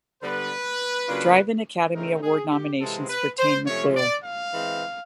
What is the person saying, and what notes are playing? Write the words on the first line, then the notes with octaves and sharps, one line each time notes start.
Drive-In Academy Award nominations for Tane McClure.
D3 G3 B3 B4
C#3 F#3 A#3 D4 F4
C#3 E3 A3 C4 D#4 A#4
G#4
G4
C3 E3 G#3 C4 F4 A4
B4
C5
C3 F3 A3 C#4 C#5
D5
F5
E3 G#3 C4